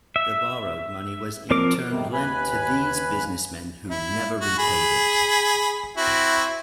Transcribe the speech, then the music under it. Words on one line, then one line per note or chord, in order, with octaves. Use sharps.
The borrowed money was in turn lent to these businessmen, who never repaid it.
E5
F3 C4 A#4 D6
F2 C3 D#3 G3
D#2 B4 G#5 B5
E4
F#4
G#4 B5
C4 E4 F#4